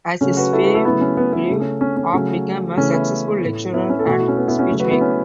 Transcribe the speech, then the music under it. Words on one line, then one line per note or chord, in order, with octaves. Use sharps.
As his fame grew, Arp became a successful lecturer and speechmaker.
C#3 F#3 A3 C#4 F#4
F#4 B4
E4 A4
F#4 B4
E4 A4
C#3 F#3 A3 B3 E4
C#4
B3
B3 E4
C#3 A3
C#4
C#4
C#4
C#3 F#3 A3 C#4
C#3 E3 A3 C#4
B3 E4
A2 A3
B3 E4
C#4
A4
B2 A3 F#4
E4
C#4
B3
B3 E4
C#4 F#4
C#3 F#3 A3
F#4 B4
B3 E4
C#4